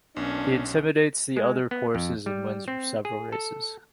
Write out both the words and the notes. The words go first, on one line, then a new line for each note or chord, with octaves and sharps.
He intimidates the other horses and wins several races.
B1 A#3 B3 C#4 D4
G#3
B3
F2
G3
C4
G#4
A4